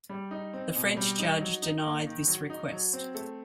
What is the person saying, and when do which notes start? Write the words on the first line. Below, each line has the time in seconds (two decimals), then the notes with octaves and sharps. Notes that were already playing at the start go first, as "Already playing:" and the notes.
The French judge denied this request.
0.09 G3
0.31 D#4
0.53 C4
0.76 B2
0.97 G3
1.19 D#4
1.41 F#3
1.62 D#4
1.84 A#3
2.06 D#3
2.27 F#3
2.50 D#4
2.72 F#3
2.93 C4
3.15 A3